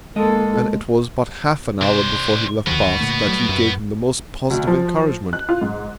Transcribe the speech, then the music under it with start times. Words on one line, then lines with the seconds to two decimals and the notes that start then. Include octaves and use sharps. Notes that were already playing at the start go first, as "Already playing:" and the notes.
And it was but half an hour before he left Bath that you gave him the most positive encouragement.
0.16 G#3 A#3 A4 D#5
1.82 C3 D4 C5
2.67 D2 D#3 F3 B3 F#4
3.00 A#2 D3 A3
3.27 F#3 G3 A3
3.49 F#2
4.50 D2
4.67 F3
5.33 F#6
5.49 F4
5.61 G#2